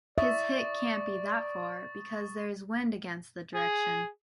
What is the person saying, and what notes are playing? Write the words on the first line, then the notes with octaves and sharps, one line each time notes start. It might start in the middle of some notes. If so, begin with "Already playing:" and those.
His hit can't be that far because there is wind against the direction.
D5 E5 C#6 D#6 A6
G#4